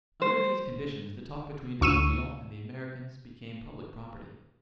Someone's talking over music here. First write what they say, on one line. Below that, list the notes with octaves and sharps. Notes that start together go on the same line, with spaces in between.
Under these conditions the talk between De Morbihan and the Americans became public property.
C5
D2 C#6 E6 D#7 E7